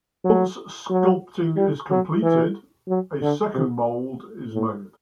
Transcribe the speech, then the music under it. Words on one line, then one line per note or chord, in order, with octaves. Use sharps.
Once sculpting is completed, a second mold is made.
F#3
F#3
G3
F#3
E3
F#3
D3
C3
A2